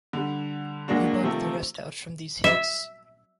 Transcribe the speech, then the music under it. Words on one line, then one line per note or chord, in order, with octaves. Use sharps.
You work the rest out from these hints.
D3 G3
D2 G#3 A#3 D4 F#4
C3 D#3 F3 A3 C4
E5